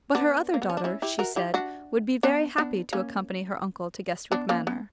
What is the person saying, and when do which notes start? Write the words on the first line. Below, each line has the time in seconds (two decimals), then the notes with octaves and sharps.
But her other daughter, she said, would be very happy to accompany her uncle to Guestwick Manor.
0.15 B3 D4
0.54 A#3
0.62 B3
0.70 C#4
0.77 D4
0.84 C#4 E4
1.02 E4 G4
1.19 F#4 A#4
1.36 E4 G4
1.54 D4 F#4
2.23 B3 D4
2.58 B3 D4
2.93 A#3 C#4
4.32 B3 D4
4.49 A#3 C#4
4.67 B3